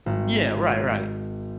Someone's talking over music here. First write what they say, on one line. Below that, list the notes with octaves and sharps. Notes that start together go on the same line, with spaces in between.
Yeah. Right, right.
G#1